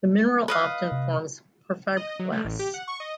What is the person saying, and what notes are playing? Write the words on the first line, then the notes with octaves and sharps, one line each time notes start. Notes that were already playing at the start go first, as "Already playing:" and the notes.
The mineral often forms porphyroblasts.
B4 D#5 F5
C3
D#5
F#3
A3
A1
G4
F#5
C#6
D#5